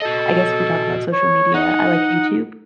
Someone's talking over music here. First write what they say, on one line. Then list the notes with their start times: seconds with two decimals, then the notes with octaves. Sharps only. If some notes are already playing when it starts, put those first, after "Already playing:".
I guess if we talk about social media, I like YouTube
0.02 F#4 A4 D#5
1.13 C#5
1.54 D#4 F#5